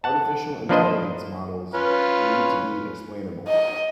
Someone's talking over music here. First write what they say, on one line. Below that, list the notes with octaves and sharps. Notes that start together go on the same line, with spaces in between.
Artificial Intelligence models will need to be explainable.
F#5 A5
F3 A#3 D4 B4 C5 D#5
C#4 F4 B4
D#5